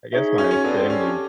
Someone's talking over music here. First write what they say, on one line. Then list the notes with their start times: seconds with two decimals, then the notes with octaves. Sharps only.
a I guess my family
0.13 D#4 G#4 C#5 E5
0.38 C#4 F#4
0.51 C#4
0.64 B3 A4 D5 F5 A5
0.77 C4
0.89 C#4 G4